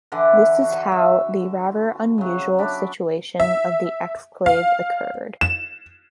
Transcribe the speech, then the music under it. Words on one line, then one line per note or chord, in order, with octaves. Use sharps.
This is how the rather unusual situation of the exclave occurred.
D3 E3 D5 F#5
F#4
E5
C#3 F#3
D4 B5 D6
E5
F5
E7